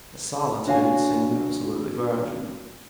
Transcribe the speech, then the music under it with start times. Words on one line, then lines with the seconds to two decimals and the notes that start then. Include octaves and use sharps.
The solitude seemed absolutely virgin.
0.66 D#2 D4 F#4 C#5 F5 G#5